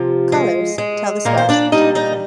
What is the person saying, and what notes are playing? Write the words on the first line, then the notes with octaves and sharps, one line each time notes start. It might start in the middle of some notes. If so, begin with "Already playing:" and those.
Colors tell the star's "temperature".
Already playing: C3 F3 F4
G#3
G#3
A#2 A#3 A#4
C5
D4 D5
G3 D#4 D#5
D#4 D#5